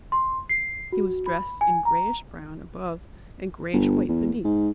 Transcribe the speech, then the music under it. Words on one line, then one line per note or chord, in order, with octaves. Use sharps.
He was dressed in grayish-brown above and grayish-white beneath.
C6
C7
F#4
B5
G#5
A#5
G1
E2
G#2